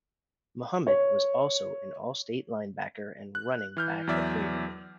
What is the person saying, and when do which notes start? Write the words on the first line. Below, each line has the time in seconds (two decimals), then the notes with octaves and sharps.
Muhammad was also an all-state linebacker and running back at Waverly.
0.87 C#5
3.35 F#6
3.77 E3 F6 G6
4.07 E2 F#3 D5 E5